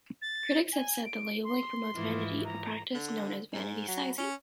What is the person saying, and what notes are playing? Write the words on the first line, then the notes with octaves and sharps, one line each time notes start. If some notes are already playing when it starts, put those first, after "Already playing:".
Critics have said the labeling promotes vanity, a practice known as vanity sizing.
A6
G#5
D7
C6
G#2 E3 F3
A#5
D3
G#2
F#3
C#4